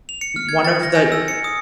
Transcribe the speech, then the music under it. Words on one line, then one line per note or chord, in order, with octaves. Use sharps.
one of the
F7
C#7
F6
G#6
A6
A#6
G#5
E6
C#7
D#6